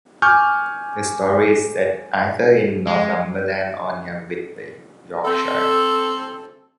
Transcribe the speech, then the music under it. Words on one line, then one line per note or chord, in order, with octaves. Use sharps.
The story is set either in Northumberland or near Whitby, Yorkshire.
G#5 C#6 D6 F6 G6
G#3
C4 A4